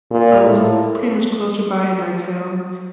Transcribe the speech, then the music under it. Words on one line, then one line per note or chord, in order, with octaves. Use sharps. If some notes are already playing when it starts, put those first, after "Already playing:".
Um, it's pretty much closer by in my town.
A#2
A2